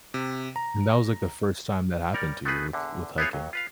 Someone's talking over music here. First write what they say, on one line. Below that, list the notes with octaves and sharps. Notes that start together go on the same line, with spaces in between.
And that was, like, the first time that happened to you with with hiking.
C3
A#5
G3 A#4 C#5 D5
A3 B3 D#4 F#4 G#4 B4
E2 D3
B3 C4 E4 F4 G#4 C#5
D#2 F#3
F4 B4 F5